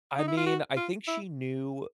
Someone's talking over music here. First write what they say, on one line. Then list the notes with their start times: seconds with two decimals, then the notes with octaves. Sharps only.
I mean, I think she knew
0.19 D#4
0.28 E4
0.37 F4
0.46 F#4
0.77 F4
1.08 E4